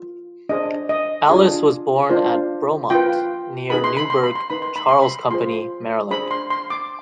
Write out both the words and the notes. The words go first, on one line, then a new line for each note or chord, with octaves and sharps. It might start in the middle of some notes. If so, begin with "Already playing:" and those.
Alice was born at "Bromont", near Newburg, Charles Company, Maryland.
Already playing: F4
D4 G#4 C5 D#5
D#5
D4 F4 G#4
D4 F4 C5
F4 B4 G5
D#4 G#4 B4 B5
C6
B5
C6
B5
C6
D#4 B4 B5
C6
B5
C6
B5
F4 G#4 C5 C6
D4 G#4 C5 B5
C6
C6
D6